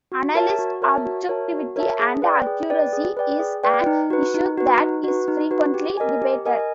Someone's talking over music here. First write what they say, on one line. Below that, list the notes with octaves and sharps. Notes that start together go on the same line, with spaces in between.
Analyst objectivity and accuracy is an issue that is frequently debated.
F#4
A#4 C#5 E5 A5
F#4
A#4 C#5 E5 A5
F#4
A#4 C#5 E5 A5
F#4
A#4 C#5 E5 A5
G#4
B4 D5 G5
G#4
B4 D5 G5
G#4
B4 D5 G5
G#4
B4 D5 G5
D#4
F#4 B4
D#4
F#4 B4
D#4
F#4 B4
D#4
F#4 B4
G4
A#4 D#5 G#5
G4
A#4 D#5 G#5